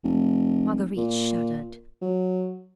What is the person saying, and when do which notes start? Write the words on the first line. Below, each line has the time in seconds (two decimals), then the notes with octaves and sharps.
Marguerite shuddered.
0.04 F1
0.97 A#2
2.02 F#3